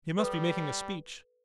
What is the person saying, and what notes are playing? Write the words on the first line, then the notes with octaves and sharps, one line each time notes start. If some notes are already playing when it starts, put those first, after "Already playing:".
He must be making a speech.
G3 A4 B4